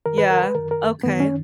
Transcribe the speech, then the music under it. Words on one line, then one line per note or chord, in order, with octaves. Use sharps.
Yeah, okay.
F#2 D#3 A#4
B4
A#4
B4
F#2 D#3 A#4
A#4
F#2 D#3 B3
C#4